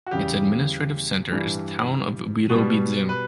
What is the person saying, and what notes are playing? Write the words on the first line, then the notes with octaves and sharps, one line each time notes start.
Its administrative center is the town of Birobidzhan.
F#4
E2 C#3 G3 G4
G2 E3 G3
B2 G3
B4